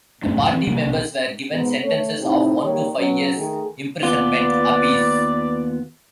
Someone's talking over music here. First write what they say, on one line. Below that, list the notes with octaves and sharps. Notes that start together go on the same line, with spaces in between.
The party members were given sentences of one to five years' imprisonment apiece.
F#2 A3 C#4 D4
C#2 F#2 A2 F#3
E3 C4
C3 G3 A#3 D4
C2 B2
G#2 B2 B3
A3 C#5
A2 C3 C4 D#4
D#3 G3 A#3 G4 C#5
F#3 B3 C#4
D#3 A3 G#4
D#2 B3 F4 B4 D5